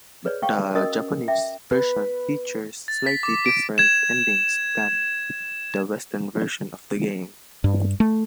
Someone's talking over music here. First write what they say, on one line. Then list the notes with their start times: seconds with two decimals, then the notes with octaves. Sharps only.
The Japanese version features slightly different endings than the western version of the game.
0.25 G#4 B4 C#5 D5
0.42 F5 G5 C#6 D6
0.75 C#4 F#4 A#4 D#5 D#6 E6
1.28 E5 G5 D6
1.71 B4
2.88 A6
3.07 B6
3.23 D6
3.46 D7
3.78 G#6 E7
7.64 G2
8.00 A3